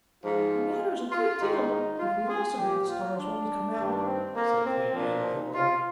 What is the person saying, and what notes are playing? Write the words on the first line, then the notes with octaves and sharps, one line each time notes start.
"It matters a good deal, if we also hit the stars when we come out," said Queen Ann, with a moan.
G#2 F3 F4
F4
G#2 D#3 D#4
D#4
F4
G#4
A#2 F3 G4
F4
D4
G2 D#3
C4
A#3
C4
A#2 F3 D4
D#4
F4